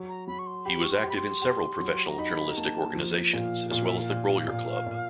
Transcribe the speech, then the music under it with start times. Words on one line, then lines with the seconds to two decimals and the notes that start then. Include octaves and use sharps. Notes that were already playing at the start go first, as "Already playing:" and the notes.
He was active in several professional journalistic organizations as well as the Grolier Club.
Already playing: F#3
0.08 A#5
0.27 F#3 B5
0.39 C#6
0.47 C6
0.65 G4 B5
0.83 C#6
0.92 C6
1.03 G4
1.10 B5
1.17 C6
1.42 G4
1.80 F#3
2.07 A#5
2.18 D#4 B5
2.51 A#5
2.57 A#3 A5
2.95 F3
3.33 A#2 F5
3.71 A#2 F5
3.85 E5
3.98 F5
4.10 A#2
4.48 A#2
4.86 A#2